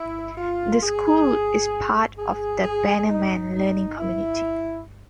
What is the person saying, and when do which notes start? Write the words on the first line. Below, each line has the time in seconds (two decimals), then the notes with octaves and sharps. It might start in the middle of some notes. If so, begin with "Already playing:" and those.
The school is part of the Bannerman Learning Community.
Already playing: E4
0.38 F4
0.82 G#4
2.17 G#4
2.63 G#4
3.08 D#4
3.53 D#4
3.98 E4